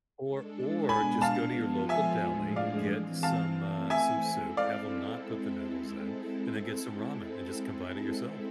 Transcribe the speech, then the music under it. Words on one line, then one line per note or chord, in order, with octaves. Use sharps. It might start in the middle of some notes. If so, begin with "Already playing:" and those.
Or or just go to your local deli, get some, uh some soup, have ‘em not put the noodles in, and then get some ramen, and just combine it yourself.
G#3 D4 A4
B2 G#3 B3 D4 G#5 B5
F5 A5
F3 G#3 B3 F4 A4
E5 G#5
A2 F3 G#3 D4 G#4
D5 F5
E3 G#3 C4
F5 A5
E3 A3 C4 E4
E5 G#5
G#3 C4 E4 A4
D5 F5